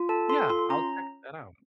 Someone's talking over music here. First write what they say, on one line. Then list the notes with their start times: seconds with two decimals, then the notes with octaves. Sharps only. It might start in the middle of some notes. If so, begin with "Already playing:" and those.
Yeah. I'll check that out.
Already playing: F4
0.09 A4 A5
0.29 A4 C6
0.50 F4 C6
0.70 C#4 A#5